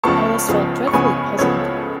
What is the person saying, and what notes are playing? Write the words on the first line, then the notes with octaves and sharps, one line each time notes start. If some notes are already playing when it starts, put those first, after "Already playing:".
Alice felt dreadfully puzzled.
C#2 C#3 F3 B3 A5 C#6
C#2 C#3 F3 B3
C#6
C#2 C#3 F3 B3 G#5 B5
C#2 C#3 F3 B3 A4 C#5